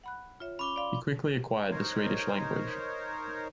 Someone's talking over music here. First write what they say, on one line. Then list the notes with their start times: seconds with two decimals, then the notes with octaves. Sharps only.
He quickly acquired the Swedish language.
0.04 F#5 B5 F#6
0.40 F4 C#5 E5
0.59 C#4 B5 D6 G7
0.76 D5 F5 C6
1.71 D#4 A#4 C5 C#5